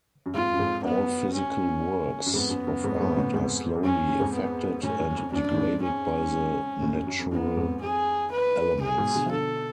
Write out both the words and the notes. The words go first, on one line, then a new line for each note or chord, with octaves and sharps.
All physical works of art are slowly affected and degraded by the natural elements.
F#2
F2 G#2 F4
F#2
F2 G#2
F#2 B3
C#4
F#2
F2 G#2 B3
F#2
F#2
F2 G#2
F2 G#2
F#2 A2
F2 G#2
F2
F#2 C#4
F#2
F2 G#2
B3
F#2 A2 C#4
F#2
F2
F#2 D4
A2
F2 G#2
C#4
F#2 A2
F#2
F#2
F2
F#2 B3
F2 G#2
F2 G#4
B4
G#4
G#2 B2
B2 D3
F3
B2 D3 A4